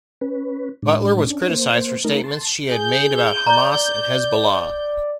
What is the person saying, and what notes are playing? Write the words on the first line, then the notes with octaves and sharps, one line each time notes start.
Butler was criticized for statements she had made about Hamas and Hezbollah.
C#4 B4
A2 G#3 D4
C#4 D4
A#3 C5
A3 D#4 A#4
A5 C6
G#4 G6
D5 A#5